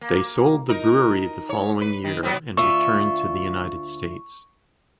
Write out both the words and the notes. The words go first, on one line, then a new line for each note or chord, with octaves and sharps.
They sold the brewery the following year and returned to the United States.
A#3
D#4 A#4
C#5
B4
D#3
F#3 B3 C4
D2 F4 E5 C#6